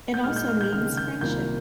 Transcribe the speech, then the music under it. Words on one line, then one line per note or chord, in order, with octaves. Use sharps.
It also means friendship.
G6
A#2 G#3 D#4 F6
G6
F6
G6
C#2 C3 D#3 G#3 F6
G6
C2 C3 D#3 A#3 F4 G6